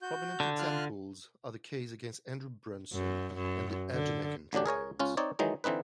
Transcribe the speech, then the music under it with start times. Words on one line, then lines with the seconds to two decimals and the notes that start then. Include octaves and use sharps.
Prominent examples are the case against Andrew Brunson and the Ergenekon trials.
0.02 F#4 G6
0.40 D3
0.59 F4 F6 F#6
2.93 F#2
3.34 F#2
3.92 D3
4.53 A1 D3 F#3 D4 G4
4.66 G#4 A#4 C#5 G#5
4.99 C#2 C#4 F4
5.17 C4 D#4 C#5 D5
5.39 D#3 E3 F#3 G#3 D#4
5.64 D3 E3 C4 D#4 B4